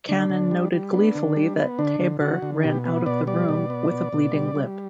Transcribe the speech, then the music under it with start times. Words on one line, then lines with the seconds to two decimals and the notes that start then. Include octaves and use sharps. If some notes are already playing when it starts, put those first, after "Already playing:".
Cannon noted gleefully that Taber ran out of the room with a bleeding lip.
0.09 D3 D4
0.30 D3
0.51 G3
0.73 G3
0.94 B3 D4
1.15 D3
1.36 G3
1.58 B3
1.79 D3 D4
2.00 D3
2.21 D3 F#4
2.42 D3
2.64 B2 G4
2.85 B3
3.06 B2 D5
3.27 G3 D5
3.49 B2
3.70 B3
3.91 B2
4.13 B2
4.34 G3
4.55 G3